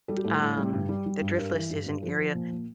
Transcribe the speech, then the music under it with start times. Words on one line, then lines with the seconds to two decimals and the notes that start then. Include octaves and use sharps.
um, the Driftless is an area
0.08 G3 A4
0.17 G4
0.24 A2 A4
0.41 A2
0.58 G3
0.73 G2
0.89 G3
1.06 G3
1.21 G2
1.38 G2 A#4
1.54 E3
1.70 G2
1.86 G2
2.03 F3 A4
2.19 F3
2.35 A#2
2.52 A#2